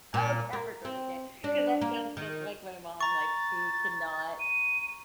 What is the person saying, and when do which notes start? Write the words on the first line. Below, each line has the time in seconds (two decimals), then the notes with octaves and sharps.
Oh, Capricorn, okay, 'cause that sounds just like my mom, like, she cannot
0.14 A#2
0.53 A#3
0.85 C4
1.44 D4
1.81 A#3
2.17 D#3
3.01 A#5 C#6 A6
4.40 D#7